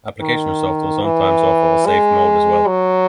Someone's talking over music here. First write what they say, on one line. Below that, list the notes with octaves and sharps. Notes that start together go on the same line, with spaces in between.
Application software sometimes offers a safe mode as well.
D#3
E3
G#3
F#3